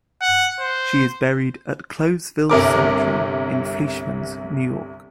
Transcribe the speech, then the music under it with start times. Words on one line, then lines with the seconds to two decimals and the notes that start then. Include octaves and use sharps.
She is buried at Clovesville Cemetery in Fleischmanns, New York.
0.21 F#5
0.60 C5
2.50 G1 C2 A#4 D6